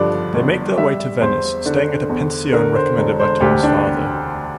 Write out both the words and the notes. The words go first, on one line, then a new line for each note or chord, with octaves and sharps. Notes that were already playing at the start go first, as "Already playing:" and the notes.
They make their way to Venice, staying at a "pensione" recommended by Tom's father.
Already playing: G2 D3 F3 D5
G1
G3 E5
E2 C5
D3
E2
D3 A#4
C5
E1
C5
D2 G4
D4